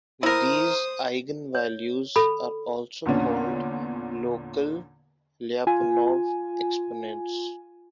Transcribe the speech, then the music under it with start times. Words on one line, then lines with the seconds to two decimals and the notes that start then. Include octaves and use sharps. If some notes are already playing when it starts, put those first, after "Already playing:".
These eigenvalues are also called local Lyapunov exponents.
0.23 E4 A#4 C5 D#6
1.55 C#5
2.16 A4 B5
3.05 E2 A#2 D3 B3 C#4 D4
5.67 F4 G#5